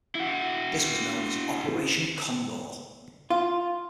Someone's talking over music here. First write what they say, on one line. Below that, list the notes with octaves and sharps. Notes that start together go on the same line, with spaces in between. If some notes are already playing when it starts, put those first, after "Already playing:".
This was known as Operation Condor.
E4 F#4
F4